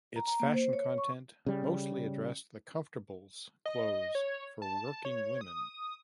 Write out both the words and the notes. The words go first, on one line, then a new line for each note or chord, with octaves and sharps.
Its fashion content mostly addressed the comfortables clothes for working women.
A#5
A#5
A#3
C5
C#5
C#6
C#3 G3
D#5
C#5
A5
C#5
D#6